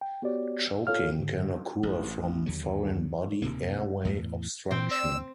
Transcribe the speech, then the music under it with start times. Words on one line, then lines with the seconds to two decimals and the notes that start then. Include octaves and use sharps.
Choking can occur from foreign body airway obstruction.
0.01 G5
0.22 B3 F#4 G4 C#5 D5
0.87 F4 A4 C#5 F5 F6
1.18 G#2 D3
1.83 A1
2.46 D#2 D3 F#3
3.42 D1 D#2 C3 A#3
4.05 E2 A2
4.71 A#2 E3 C4 G5
4.91 D5 E6